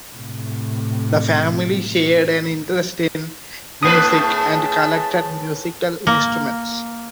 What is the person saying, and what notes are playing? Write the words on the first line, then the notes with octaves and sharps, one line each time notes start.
The family shared an interest in music and collected musical instruments.
A2 C3
A2 A3 B4 A5 D#6
G#4
A#3